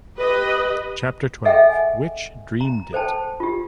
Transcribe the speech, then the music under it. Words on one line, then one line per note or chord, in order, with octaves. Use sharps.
Chapter Twelve - Which dreamed it?
G4 B4 D#5
G#4 A4 D#5 E5 F#5 G5
G#5
A#5
A4 C5 G5 A5
F4 G4